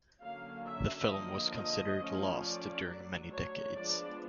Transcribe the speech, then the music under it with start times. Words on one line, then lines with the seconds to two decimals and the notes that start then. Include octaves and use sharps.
The film was considered lost during many decades.
0.22 D3 F#3 A#3 C#4 F5
0.66 E5
1.10 D3 F3 A#3 D#5
1.55 D#5
2.00 F3 A3 C#4
2.43 D5
2.87 F#3 A3 D4
3.32 C#5
3.76 F3 G#3 B3 D4 D5